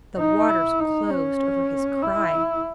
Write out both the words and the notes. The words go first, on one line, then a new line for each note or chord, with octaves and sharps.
The waters closed over his cry.
D#4
E4
D#4
C#4
E4